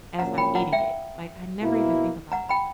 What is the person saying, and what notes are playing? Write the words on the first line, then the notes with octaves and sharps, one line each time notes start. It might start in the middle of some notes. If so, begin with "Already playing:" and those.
as I'm eating it, like I never even think about that.
A#1 A#2 F#3 A#3 C#4 F#5 A#5
G5 B5
F#5 A#5
E5 G5
B2 A#3 E4
F#5 A#5
G5 B5